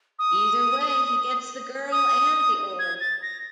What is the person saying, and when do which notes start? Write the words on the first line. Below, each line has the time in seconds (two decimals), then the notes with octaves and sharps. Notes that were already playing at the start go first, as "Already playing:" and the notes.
Either way, he gets the girl and the orb.
0.19 D#6
1.92 D#6
2.79 G#6
3.00 A6
3.22 A#6